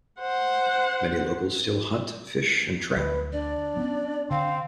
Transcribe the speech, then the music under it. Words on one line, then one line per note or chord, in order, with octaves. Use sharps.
Many locals still hunt, fish, and trap.
C5 F#5
D2 D3 B4
D4 D5
B3 C#4
D3 C4 F5